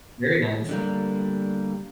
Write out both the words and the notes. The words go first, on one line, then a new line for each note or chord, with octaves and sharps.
Very nice.
D3 G3 A#3